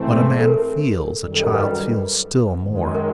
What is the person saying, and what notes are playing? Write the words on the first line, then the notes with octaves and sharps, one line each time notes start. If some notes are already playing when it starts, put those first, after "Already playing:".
What a man feels a child feels still more.
Already playing: G#2 E3 A3 C4
G#4
A4
A#4
F#2 D#3 G3
A4
A#4
B4
F#2 D#3 G#3
A#4